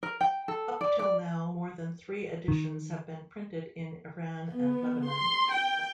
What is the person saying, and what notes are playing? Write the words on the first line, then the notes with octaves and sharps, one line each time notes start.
Up till now more than three editions have been printed in Iran and Lebanon.
A#4
G5
A4
D5
D5
D#3
B3
C6
G5